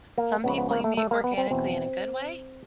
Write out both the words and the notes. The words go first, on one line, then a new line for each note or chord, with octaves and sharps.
some people you meet organically in a good way,
A#3
C#2 C#3 F3 B3
B3
A#3
A3
A3
A#3
B3
C4
E2 B2 C4